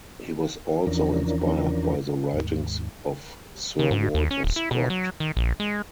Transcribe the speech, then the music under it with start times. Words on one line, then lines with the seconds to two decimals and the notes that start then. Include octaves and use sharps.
He was also inspired by the writings of Sir Walter Scott.
0.87 E2 E3 F3 C#4 D4 A#4
2.33 D#2 G#2
3.79 C#3
3.91 G#2
4.14 D#2
4.31 C#4
4.44 D1
4.56 E4
4.71 B2
4.90 F#3
5.20 D#3
5.37 A#1
5.60 G#3